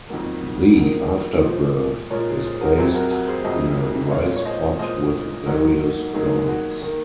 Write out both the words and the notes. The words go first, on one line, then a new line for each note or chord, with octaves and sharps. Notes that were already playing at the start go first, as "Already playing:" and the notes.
The afterbirth is placed in a rice-pot with various plants.
F2 D#3 F#3 A#3
F2 D#3 F#3 A#3 G#4
A#2 F3 G#3 G#4 C5
A#2 F3 G#3 A#4 C#5
G#4
G#4 C5
F#4 A#4
F2 C3 F#3 G#4 C5
F#4 A#4
F#4 A#4
G#4 C5
F2 C3 F#3 C5 D#5
D#5
A#2 G#3 C#5 F5
C#5
C5 D#5
A#2 G#3 C5 D#5
G#2 D#3 F#3 A#3
G#2 D#3 F#3 A#3 G#4
F#4
D#3 A#3